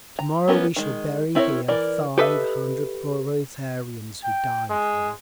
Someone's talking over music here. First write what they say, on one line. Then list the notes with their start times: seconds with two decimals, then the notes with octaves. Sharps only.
"To-morrow we shall bury here five hundred proletarians who died for the Revolution."
0.19 A#5
0.48 G3 B3 C#4 E4 A#4
0.76 D#3 G#3
1.35 C4 E4 A#4 B4 C#5
1.68 E3 A#4 D5
2.18 G4 A4 B4 D#5 E5
4.24 G5
4.70 G#3